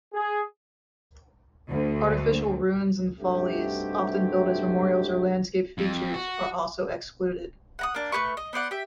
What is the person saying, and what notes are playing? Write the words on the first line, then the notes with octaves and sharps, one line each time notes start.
Artificial ruins and follies, often built as memorials or landscape features, are also excluded.
G#4
D2
G2 C3 A3 D#4 F#4 G4
F2
F#4
F#5 A#5 D#6
A#3 D4
A3 G4 B4 C#6
D#5
B3 C5 D5 F#5
G4 E5